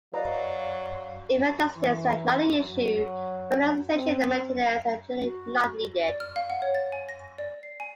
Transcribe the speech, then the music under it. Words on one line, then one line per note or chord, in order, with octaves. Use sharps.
If aesthetics are not an issue, fertilization and maintenance are generally not needed.
F#3 B4 D5 D#5 F5 A#5
E3
F#3
C4
F#4
D5
F6
F5
F#5
C#5
A6
G#5
A#6
D5
C7
G#5